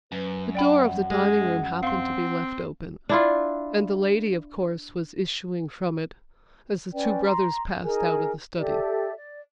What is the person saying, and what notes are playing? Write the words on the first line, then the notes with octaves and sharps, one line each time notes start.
The door of the dining-room happened to be left open, and the lady of course was issuing from it as the two brothers passed out of the study.
F#2 B4
D5 F#5 G5 B5
G#3
C4 F5 C6
D4 E4 F4
C#4 B4 D5 G5
A#5 C6
D#4 G#4 A#4 G#5
G4 A4 D5 E5
D5